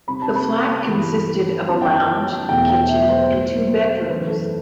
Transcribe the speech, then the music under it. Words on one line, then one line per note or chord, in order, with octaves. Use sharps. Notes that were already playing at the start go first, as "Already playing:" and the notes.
The flat consisted of a lounge, kitchen and two bedrooms.
C3 G3 C4 B5
A5
B5
G2 E3 B3
F#2 F#3 B3 A5
G5
A5
E2 B2 A3 G5
G5
E5
C5
A2 F#3 B3
F#2 E3 A3 B4
A4